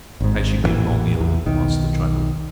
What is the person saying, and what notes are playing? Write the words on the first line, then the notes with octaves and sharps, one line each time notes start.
"Has she been long ill?" asked the traveller.
G#1 G#2
A1 G2 A#2 E3
E2
B1 D#3